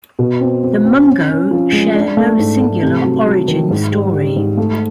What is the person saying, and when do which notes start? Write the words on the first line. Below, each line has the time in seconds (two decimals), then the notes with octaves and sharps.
The Mungo share no singular origin story.
0.19 B2
0.41 C4
0.63 C4
0.85 C4
1.07 C#4
1.29 C#4
1.51 F3
1.72 G#3
1.95 D4
2.17 A3
2.39 G#2
2.60 A3
2.82 C3
3.05 F#3
3.26 F#3
3.48 D#3
3.70 G#2
3.92 G3
4.14 G3
4.36 G#2
4.57 A3